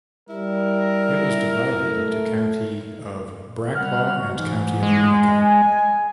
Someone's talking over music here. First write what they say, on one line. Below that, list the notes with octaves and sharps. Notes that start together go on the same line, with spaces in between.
It was divided into County of Braclaw and County of Winnica.
G3 E4 A#4
A3
G3 F#5 F6
F#4
G#2 E3
G#3
G#5